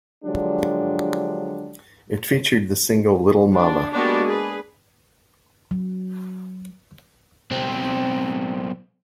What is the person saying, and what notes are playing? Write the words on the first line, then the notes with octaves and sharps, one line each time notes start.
It featured the single "Little Mama".
D3 F3 F#3 G#3 D4 G4
D4
G#3 A#3 B3 D4 F#4 G4
G#4 B4
F#3
B1 C4